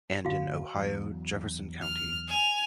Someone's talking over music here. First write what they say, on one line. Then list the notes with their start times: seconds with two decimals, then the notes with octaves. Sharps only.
And in Ohio, Jefferson County.
0.25 G1 D2 F#4 F5
0.76 E2 F#3
1.82 F6
2.28 G#5 F7